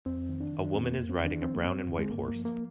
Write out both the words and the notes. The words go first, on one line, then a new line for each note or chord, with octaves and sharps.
A woman is riding a brown and white horse.
F2 C4
D#3
D4
D#3
D4
F2 C4
A#3
F2
C4
D#3
D4
F3 C4
A#3
G2 C4
D3
G#3
G2 A#3
A#3
F3
A#3